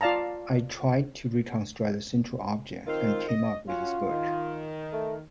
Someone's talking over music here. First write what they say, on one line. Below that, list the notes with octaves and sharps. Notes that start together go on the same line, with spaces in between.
I tried to reconstruct the central object, and came up with this book.
F4 D5 F5 A5 A#5
D#3 C4 F4 C5
D#5
C#4 F4 F#4
D#3
A3